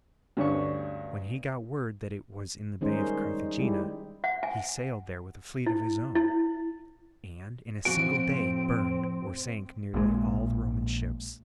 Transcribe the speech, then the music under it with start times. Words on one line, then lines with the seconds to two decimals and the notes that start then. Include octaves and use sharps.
When he got word that it was in the Bay of Carthagena, he sailed there with a fleet of his own and in a single day burned or sank nearly all the Roman ships.
0.37 D2 G2 C#4 D4 C#6
2.81 D#3 G3 G#3 C#4 D#4 C5
3.58 G3 G#3 E4 G4
4.24 F#5
4.43 G#5
5.66 E4
6.15 E4
7.85 F2 A2 C4 F#4 G#5 D7
9.94 A#1 A#2 C#3 G#3